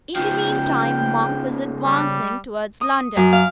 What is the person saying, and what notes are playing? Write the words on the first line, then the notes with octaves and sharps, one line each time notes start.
In the mean time Monk was advancing towards London.
C#3 F3 G5
G3
D#6
F#2
F5